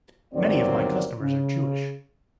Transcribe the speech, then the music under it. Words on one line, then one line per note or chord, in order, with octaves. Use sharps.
Many of my customers are Jewish.
G1 D#2 F#3 A#3 C4 D5
C#3